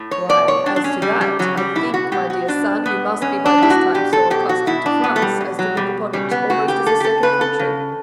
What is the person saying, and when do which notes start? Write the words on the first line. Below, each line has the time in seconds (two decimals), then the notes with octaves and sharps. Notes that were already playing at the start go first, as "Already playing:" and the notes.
"Why, as to that--I think, my dear son, you must be by this time so accustomed to France as to look upon it almost as a second country."
Already playing: A2
0.11 C#5
0.29 B2 D5
0.48 C#5
0.66 B2 D4
0.76 D4
0.84 C#4
1.02 C#3 G3
1.21 G3
1.39 C#3 F#3
1.57 G3
1.75 B2 E4
1.94 F#4
2.12 B2 G4
2.30 F#4
2.48 B2 D4
2.85 B2 B3
3.21 B2 C#4
3.46 D4
3.58 B2 E4
3.70 F#4
3.94 B2 G4
4.13 A4
4.30 B2 G4
4.49 F#4
4.67 B2 E4
4.86 D4
5.04 B2 B3
5.16 A3
5.22 G3
5.40 B2
5.59 F#3
5.77 B2 G3
6.13 C#3 G3
6.31 B3
6.50 C#3 F#4
6.68 G4
6.86 C#3 A4
7.00 G4
7.04 A4
7.23 C#3 B4
7.41 A4
7.59 C#3